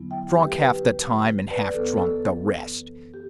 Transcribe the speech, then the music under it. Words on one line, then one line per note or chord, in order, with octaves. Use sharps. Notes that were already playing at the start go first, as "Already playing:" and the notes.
Drunk half the time and half drunk the rest.
Already playing: E2 D3 F#3 B3 E4
E5 G5
G4 B4
G4 B4
B4 D5
F#2 E3 B3 A4
A4
G4